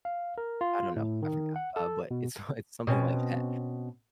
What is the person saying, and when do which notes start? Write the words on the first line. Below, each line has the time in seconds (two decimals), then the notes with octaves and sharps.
I don't know, I forgot, uh, but it's it's something like that.
0.05 F5
0.38 A#4
0.61 F4
0.96 A2
1.22 D#3
1.56 F#5
1.76 A4
2.11 B2
2.87 B2 C4 C#4